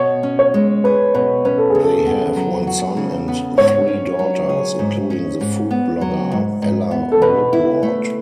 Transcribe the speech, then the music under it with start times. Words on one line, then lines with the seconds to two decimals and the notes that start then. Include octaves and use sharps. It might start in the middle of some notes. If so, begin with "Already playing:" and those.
They have one son and three daughters, including the food blogger Ella Woodward.
Already playing: B2 C#5
0.23 C#4
0.39 C#5
0.54 G#3
0.84 G#4 B4
1.14 B2 B4
1.45 C#4 B4
1.58 A4
1.70 C#3 G#4
1.83 A4
2.06 B3
2.36 F#3
2.67 F#4
2.97 C#3
3.28 B3
3.58 G#2 C#5
3.87 C#4
4.19 F#3
4.49 G#4
4.79 G#2
5.10 C#4
5.41 G#2
5.71 B3
6.01 F#3
6.31 G#2
6.62 G#2
6.91 B3
7.12 A4
7.22 B2 B4
7.53 E4
7.83 A3